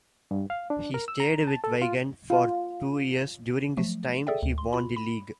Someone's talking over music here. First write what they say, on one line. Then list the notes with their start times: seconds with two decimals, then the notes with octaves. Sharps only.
He stayed with Wigan for two years during this time he won the league.
0.31 G2
0.50 F5
0.70 D4
0.94 A#4
1.08 E6
1.20 A#5
1.47 A5
1.64 A4
1.82 F4
2.30 F4
3.77 F3 F#3 A3
4.27 G#4 A4 D5 E5 G5
4.43 D2
4.58 C6
4.73 F4 B5
4.96 B5